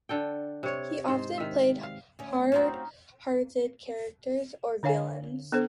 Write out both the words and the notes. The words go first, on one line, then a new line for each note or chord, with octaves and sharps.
He often played hard-hearted characters or villains.
D3 A4 G5
C3 C#5
G#2 C5
D#3 E5
F5
D2 C#4
C4 C#4 D#4 F4 F#4
D3 D4 C#5 F5 G#5
B3 D4 A4 C5